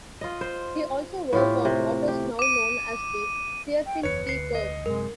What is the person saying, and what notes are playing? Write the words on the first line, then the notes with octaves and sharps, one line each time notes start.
He also worked on what is now known as the Sierpinski curve.
F4 D#5
C5
A2 F4 G4
C3
G4
D6 D#7
G5
F#1 E2 B4 C#5 C#7
D2 C7 C#7
D#5
F#2 C3 G#3 A#4